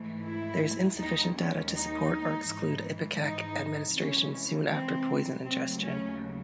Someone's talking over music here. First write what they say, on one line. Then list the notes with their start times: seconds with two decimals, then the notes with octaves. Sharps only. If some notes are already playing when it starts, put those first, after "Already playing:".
There is insufficient data to support or exclude ipecac administration soon after poison ingestion.
Already playing: G#2 E3 A3
0.25 E4
0.99 D#2 D#3 G#3 D#4
1.37 C#4
1.74 D#4
2.48 G#2 E3 G#3
3.22 D#4
3.97 C3 E3 G#3 C#4
4.71 C4
5.46 D#2 C#3 F#3 A3 C4
5.83 C#4